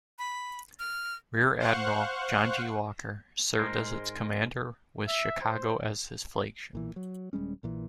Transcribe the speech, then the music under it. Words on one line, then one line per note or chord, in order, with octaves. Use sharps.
Rear Admiral John G. Walker served as its Commander with "Chicago" as his flagship.
B5
F6
C5 F5 F#5 C#6 F#6
G#2 G#3 A#4 C5
E5
C5
B1 A#2 E3
F#3
D#1 G3 G#3 C#4
A#1 A#2 E3